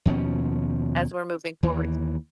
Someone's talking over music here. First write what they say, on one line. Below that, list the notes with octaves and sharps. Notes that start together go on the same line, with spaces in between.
as we're moving forward.
D#2 B2 F3 C#4
D#2 E3